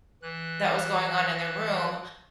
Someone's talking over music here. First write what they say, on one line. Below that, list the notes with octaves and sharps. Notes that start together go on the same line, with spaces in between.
that was going on in the room,
E3 F#6